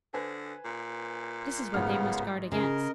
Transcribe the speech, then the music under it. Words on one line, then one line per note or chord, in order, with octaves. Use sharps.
This is what they must guard against.
D3 B4 C5 G#5
A#2
A1 G#2 C#3 B3 F6
C#3 A#4 D#5